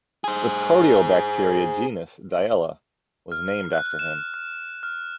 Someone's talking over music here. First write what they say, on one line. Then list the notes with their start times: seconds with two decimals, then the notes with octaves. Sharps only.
The proteobacteria genus "Dyella" was named after him.
0.24 G#4 C5
3.32 F6
3.73 F#6
3.99 E7
4.34 F6
4.83 F6